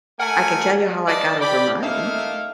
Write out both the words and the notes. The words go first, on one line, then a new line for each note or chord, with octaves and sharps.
I can tell you how I got over mine.
A3 A#4 F#5 G#5
B4 D5 D#5 F5 A5
G4 D5 B5
A3 A#3 D#4 E5 F5